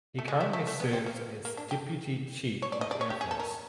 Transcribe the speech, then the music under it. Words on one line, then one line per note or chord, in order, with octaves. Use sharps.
He currently serves as Deputy Chief of Air Force.
A3
G#3
A3
A3
A3
B3
C4
A#3
A#3
D4
G4
C#5
D5
D#5
D5
C#5
G4
G#4
A4
A#4